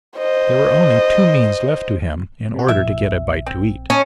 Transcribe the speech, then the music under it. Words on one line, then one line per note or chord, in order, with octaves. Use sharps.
There were only two means left to him in order to get a bite to eat.
C5 D#5
C3 F#4
A#1 E4 E5
C4
C#4 D#5 A5